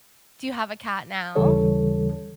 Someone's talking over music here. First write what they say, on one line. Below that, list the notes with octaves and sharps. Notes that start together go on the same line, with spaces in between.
do you have a cat now?
D#2 C#3 E3 G3 A4 C#5